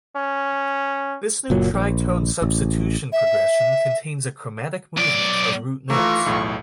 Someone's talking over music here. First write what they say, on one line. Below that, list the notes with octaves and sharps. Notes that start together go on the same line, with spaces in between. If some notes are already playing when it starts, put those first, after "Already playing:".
This new tritone substitution progression contains a chromatic movement of root notes.
C#4
F#1 A#2 F#3
A#1
A1
E5
B1 D5
D#3 E3 A3 A#3 F4 C#6
B1 E2 A2